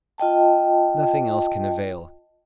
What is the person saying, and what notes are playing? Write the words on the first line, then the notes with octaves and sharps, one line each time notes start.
Nothing else can avail.
F4 D#5 G5 A5